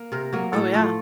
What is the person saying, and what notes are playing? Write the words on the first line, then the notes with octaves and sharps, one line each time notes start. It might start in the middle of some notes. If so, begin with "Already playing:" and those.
Oh, yeah.
Already playing: A#3
C3 A#4
F#3 A#3
A2 A4
F3 A3